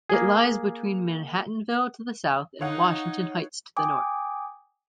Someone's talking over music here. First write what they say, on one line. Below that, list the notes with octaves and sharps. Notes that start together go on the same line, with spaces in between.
It lies between Manhattanville to the south and Washington Heights to the north.
A#3 G#4
D#4 C#5 F5 F#5
G5 G#5 D6 D#6